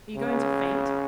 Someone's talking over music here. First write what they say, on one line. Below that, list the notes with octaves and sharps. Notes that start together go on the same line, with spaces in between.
Are you going to faint?
C#3